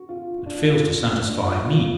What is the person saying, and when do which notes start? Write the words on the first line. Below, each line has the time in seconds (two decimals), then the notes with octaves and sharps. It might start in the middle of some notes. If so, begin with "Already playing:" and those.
It fails to satisfy Me.
Already playing: F#4
0.09 F4
0.38 F4
0.46 D4
0.54 F4
1.27 D4
1.48 F4
1.69 F4